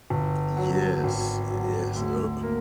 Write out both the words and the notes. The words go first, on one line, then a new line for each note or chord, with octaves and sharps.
Yes, y yes, a a uh,
G1
F#3
G#1
F#3
D2
A#3